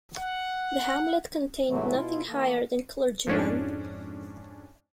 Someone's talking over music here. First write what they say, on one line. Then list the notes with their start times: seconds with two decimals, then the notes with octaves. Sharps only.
The hamlet contained nothing higher than clergyman.
0.18 F#5
1.68 G#2 C3 E3 F#3 A3
1.95 B2 E4 F4
2.28 E3 A#3 A4
3.27 F2 G#2 C#4 D4